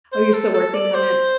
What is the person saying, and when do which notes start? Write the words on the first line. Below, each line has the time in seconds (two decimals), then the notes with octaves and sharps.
Oh, you're still working on it?
0.13 C5
0.33 A4
0.54 A4
0.74 D5
0.94 C5